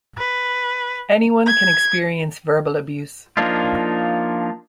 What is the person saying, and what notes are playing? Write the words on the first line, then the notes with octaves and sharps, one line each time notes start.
Anyone can experience verbal abuse.
B4
G#6
F3 A#3 D4 D#4 F4